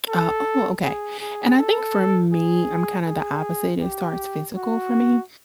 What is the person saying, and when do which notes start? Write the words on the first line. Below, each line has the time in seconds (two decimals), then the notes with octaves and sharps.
Oh, oh, okay. And I think for me, I'm kinda the opposite. It starts physical for me.
0.08 A4
0.83 G#4
1.20 G#4
1.58 A4
2.32 G#4
3.06 G#4
3.81 G4
4.55 F#4